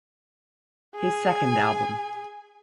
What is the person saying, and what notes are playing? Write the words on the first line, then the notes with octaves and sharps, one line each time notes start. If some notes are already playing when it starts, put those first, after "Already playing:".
His second album.
G#4 G#5